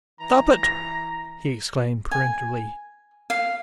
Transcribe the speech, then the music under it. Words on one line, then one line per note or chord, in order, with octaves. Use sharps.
"Stop it!" he exclaimed peremptorily.
E3 A#5
A#6
G#5
F5